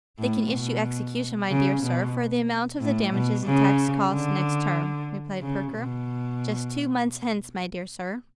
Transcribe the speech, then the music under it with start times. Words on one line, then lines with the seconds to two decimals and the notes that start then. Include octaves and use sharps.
'They can issue execution, my dear Sir, for the amount of the damages and taxed costs, next term,' replied Perker, 'just two months hence, my dear sir.'
0.19 A2
0.51 B2
1.50 C#3
1.82 B2
2.80 A2
3.13 B2
3.45 C#3
4.10 D3
5.41 C#3
5.73 B2